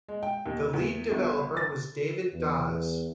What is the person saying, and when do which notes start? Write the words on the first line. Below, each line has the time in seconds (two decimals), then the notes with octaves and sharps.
The lead developer was David Dawes.
0.08 G#3
0.23 G5
0.46 D#2
0.74 E2
1.11 G1
1.57 A6
2.33 E2